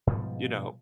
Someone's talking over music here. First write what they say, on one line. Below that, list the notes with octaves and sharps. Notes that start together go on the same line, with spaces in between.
you know,
G#2 B2 F3 G3